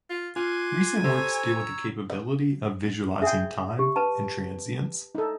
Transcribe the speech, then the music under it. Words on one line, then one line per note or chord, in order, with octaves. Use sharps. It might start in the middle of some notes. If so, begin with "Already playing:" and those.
Recent works deal with the capability of visualizing time and transience.
F4
F4 G#5 C6 D6 F#6
G4 A4 C5 C#5 A#5 E6
G#4 E5 G5
G4
B4 A5
D#4 A4